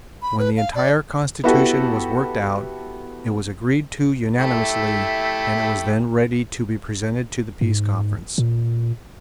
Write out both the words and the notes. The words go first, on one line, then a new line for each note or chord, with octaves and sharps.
When the entire constitution was worked out it was agreed to unanimously and it was then ready to be presented to the Peace Conference.
B5
B4
F5
D5
B3 E4 F#4 G4 A4 B4
A3 E4 G4
G#2
A#2